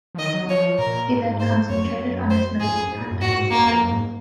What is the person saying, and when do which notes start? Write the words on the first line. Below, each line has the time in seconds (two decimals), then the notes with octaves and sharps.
He then concentrated on his medical practice.
0.15 F3
0.18 D#3 D#5
0.34 F#3
0.49 F3 C#5
0.79 A#2 A#4
1.09 G#2
1.40 C5
1.69 F#2 C#5
1.85 F#2
2.30 C5
2.60 G#2 G#4
2.70 F2
2.80 F#2
2.90 G#2
3.01 A#2
3.11 F#2
3.21 G#2 F#4
3.30 A#2
3.38 G#2
3.51 F#2 A#3
3.66 F2
3.81 F#2
3.91 G#2